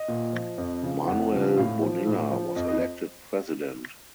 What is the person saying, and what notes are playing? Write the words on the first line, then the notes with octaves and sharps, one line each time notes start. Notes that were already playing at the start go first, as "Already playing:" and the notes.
Manuel Bonilla was elected president.
Already playing: D#5
A#2
F3
F2
C#3 F3
F2 F#5
C#3 F3
A2 F5
F3
A2
F3
F2 D#5
D#5